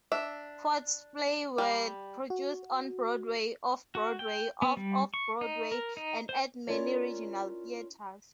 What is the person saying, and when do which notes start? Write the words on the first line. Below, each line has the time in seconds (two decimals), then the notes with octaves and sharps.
Foote's plays were produced on Broadway, Off-Broadway, Off-Off-Broadway and at many regional theatres.
0.12 D4 E5
1.58 G3
2.30 F#4
3.95 F#4
4.19 G5
4.62 B3
4.77 G3
5.14 C#6
5.41 D#4
5.72 A#4
5.97 D#4
6.29 C5
6.67 C#4 E4 F4 A#4 C#5 D5